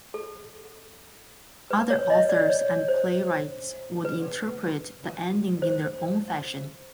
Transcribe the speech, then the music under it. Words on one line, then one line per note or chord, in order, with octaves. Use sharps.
Other authors and playwrights would interpret the ending in their own fashion.
A4
B4
C#5
D#5
D5
C#5
C5
B4
C5